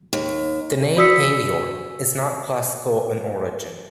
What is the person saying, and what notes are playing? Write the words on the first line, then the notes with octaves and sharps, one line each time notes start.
The name "Avior" is not classical in origin.
D#2
F#4 D5 D#6 E6 B6 C#7